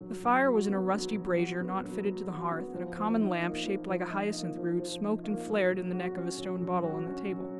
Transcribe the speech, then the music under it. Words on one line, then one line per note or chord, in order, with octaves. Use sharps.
The fire was in a rusty brazier, not fitted to the hearth; and a common lamp, shaped like a hyacinth-root, smoked and flared in the neck of a stone bottle on the table.
F#3
F#3
F#4
B3
F#3
F#3
F#4
B3
F#3
F#3
F#4
B3
F3
F3
D#4
A#3
F3
F3
D#4
A#3
F3
F3
D#4
A#3
F#3
F#3
F#4
C#4
F#3
F#3
F#4
C#4
F#3